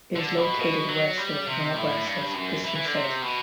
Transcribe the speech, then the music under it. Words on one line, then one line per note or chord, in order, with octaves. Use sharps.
It is located west or northwest of Christiansted.
D3
B2
B2
F#3
G3
C3
A2
G2
F#2
E3
E3
D3
C3
B2